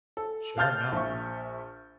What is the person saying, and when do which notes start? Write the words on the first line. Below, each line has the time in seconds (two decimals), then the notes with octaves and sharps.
Sure, no.
0.17 A4
0.58 F5 A5 F6 G6 A6
0.93 A#1 E5 C#6